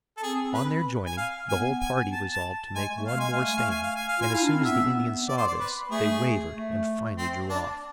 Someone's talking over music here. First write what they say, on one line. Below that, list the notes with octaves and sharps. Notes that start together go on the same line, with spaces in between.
On their joining, the whole party resolved to make one more stand, and as soon as the Indians saw this, they wavered and finally drew off.
A4
C4 G#4
B4
G#5
F5
B3 G#5
G#5
A5
A5
G#3 G#5
A3
F5
G#3 G#5
F5
A3
G#5
F5
G#5
F5
G#5
F5
F4 G#5
E4 F5
D4
C4
B3 E5
D5
C5
D5
B4
A3 G#4
A3
C4
D4